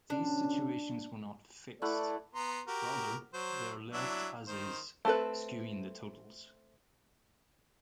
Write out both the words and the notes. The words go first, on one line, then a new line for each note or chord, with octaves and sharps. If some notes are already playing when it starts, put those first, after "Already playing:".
These situations were not "fixed"; rather, they are left as-is, skewing the totals.
B2 D3 C#4 D4
A3 E4 A4 D5 F#5
B3 A#5 C6
F#4 G4 A#4
F#3 C5
F#3 D4 E4
D#3 C5
A3 C4 A4 B4